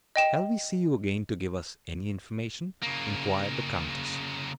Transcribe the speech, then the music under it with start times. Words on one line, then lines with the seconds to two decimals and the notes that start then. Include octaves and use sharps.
"Shall we see you again to give us any information?" inquired the countess.
0.16 D#5 G5 E7
2.83 C#3 A#3